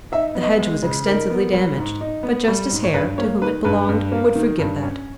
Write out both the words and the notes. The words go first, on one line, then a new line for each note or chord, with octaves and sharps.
The hedge was extensively damaged, but Justice Hare, to whom it belonged, would forgive that.
D#4 E5
B3
D#5
G#3
C#3
D#4 A#4
B3
G3
G#2
D#4
B3
G3
G#2
C#5
G2 B4
A#3 C#5
D#3 B4
G2 B4
G2
A#3
D#3
G2
C#4